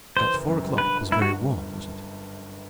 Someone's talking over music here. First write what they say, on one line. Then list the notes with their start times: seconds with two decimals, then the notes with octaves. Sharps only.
"At four o'clock--it was very warm, wasn't it?"
0.17 E3 C5
0.33 F#1
0.48 F#2
0.63 G3
0.78 D3 B4
0.95 G1
1.09 G2 E4
1.22 F#4